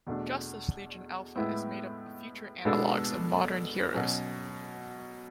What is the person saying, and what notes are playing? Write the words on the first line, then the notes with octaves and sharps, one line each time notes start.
Justice Legion Alpha is made up of future analogues of modern heroes.
E2 B2 A3 D4
A2 G#3 B3 E4
B2 G#3 B3 D4 A4
B2 F#3 C#4